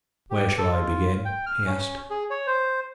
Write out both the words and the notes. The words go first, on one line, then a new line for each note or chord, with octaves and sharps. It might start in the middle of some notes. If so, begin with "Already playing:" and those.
"Where shall I begin?" he asked.
G4
A4
F4
G5
F6
C#4
G#4
C#5
C5